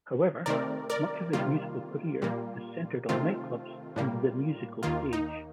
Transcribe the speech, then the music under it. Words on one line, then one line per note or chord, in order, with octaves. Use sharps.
However, much of his musical career has centered on nightclubs and the musical stage.
C3 D#3 A3 C4 A#4 D5
A#4 D5
C3 D#3 G3 A#3 F4
A#2 G3 A#3
C3 D#3 A3 C4 F4
A2 G3 A#3
D#2 D#3 A#3 F4
D#4